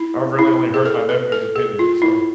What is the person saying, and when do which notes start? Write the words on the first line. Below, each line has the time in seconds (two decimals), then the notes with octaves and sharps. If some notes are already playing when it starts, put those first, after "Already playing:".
I I've really only heard my nephew's opinion, so
Already playing: E4
0.39 E4
0.74 G#4
0.85 A4
1.09 B4
1.32 A4
1.56 G#4
1.79 F4
2.02 E4